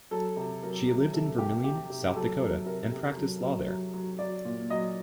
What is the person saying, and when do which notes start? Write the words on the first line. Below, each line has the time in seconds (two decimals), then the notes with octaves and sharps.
She lived in Vermillion, South Dakota and practiced law there.
0.11 F#3 A4
0.37 C3
0.63 F#3 A#4
0.88 F#3
1.14 C3 A4
1.38 C3 G4
1.64 C3 G4
1.90 C3
2.08 G4
2.16 F#3 A4
2.41 F#3
2.66 C3 A#4
2.92 C3
3.17 F#3
3.43 F#3
3.68 F#3
3.94 F#3
4.19 F#3 D5
4.45 A#2
4.70 F#3 D#5